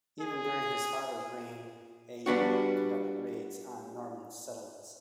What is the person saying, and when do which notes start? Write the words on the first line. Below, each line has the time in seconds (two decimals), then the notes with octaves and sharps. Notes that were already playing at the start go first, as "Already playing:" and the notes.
Even during his father's reign Aedh conducted raids on Norman settlements.
0.21 G#4
2.26 G3 B3 D4 F#4